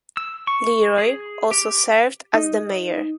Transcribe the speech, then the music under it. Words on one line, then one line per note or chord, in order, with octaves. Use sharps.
Leroy also served as the Mayor.
E6
C#6
G#4
G4
D#4